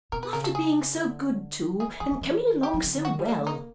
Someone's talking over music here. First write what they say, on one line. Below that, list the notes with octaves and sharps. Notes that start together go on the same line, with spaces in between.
'After being so good too, and coming along so well!
B2 A#4
B4
C#3 A#4
A4
G#4
D3
D#3 G#4
E3
E3 G#4
E3
E3
D#3
G4
F3
C#3
D3
D#3 F#4
G3
D4
A3
A#3 D#4